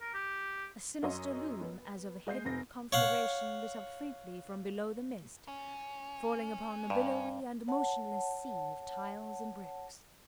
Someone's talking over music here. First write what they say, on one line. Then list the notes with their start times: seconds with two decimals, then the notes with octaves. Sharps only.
A sinister loom as of a hidden conflagration lit up faintly from below the mist, falling upon a billowy and motionless sea of tiles and bricks.
0.01 A#4
0.14 G4
1.03 F#2 C#5 D#5 C6
1.61 B3
2.27 G#3 D#5 G6 C7
2.45 F1 A#6
2.93 C#5 F5 F#5
5.48 C#4
6.90 G2
7.68 C#5 F#5 A5